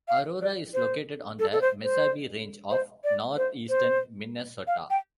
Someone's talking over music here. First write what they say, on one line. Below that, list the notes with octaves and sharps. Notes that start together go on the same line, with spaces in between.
Aurora is located on the Mesabi Range of northeastern Minnesota.
F5
D5
C5
A4
A4
C5
C5
C5
D5
C5
C5
F5
G5